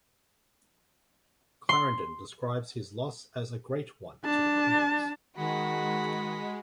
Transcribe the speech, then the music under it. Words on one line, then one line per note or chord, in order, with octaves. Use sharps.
Clarendon describes his loss as a great one to the cause.
C6
D4 A5
D#3 G#3 F#4 F#5 B5